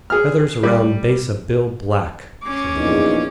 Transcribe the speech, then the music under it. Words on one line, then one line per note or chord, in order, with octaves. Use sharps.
"Feathers around base of bill black," said the book.
G#4 F6
G3
C#4 D6
A#1 E2 D#4